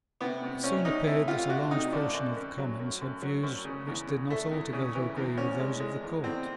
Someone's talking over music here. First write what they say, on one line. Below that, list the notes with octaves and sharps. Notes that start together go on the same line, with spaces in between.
It soon appeared that a large portion of the Commons had views which did not altogether agree with those of the Court.
C3 B3
C3
C3 C#4
C3 D#4
A3 E4
C3 F4
C3 F#4
C3 D#4
F#2 D4
F#2
F#2
F#3
F#2
F#2
F#3
F#2
C#3
E2
C#3
A3
E2
C#3
E3
E2
E2 C#4
G#3
G#3
E2
E2 C4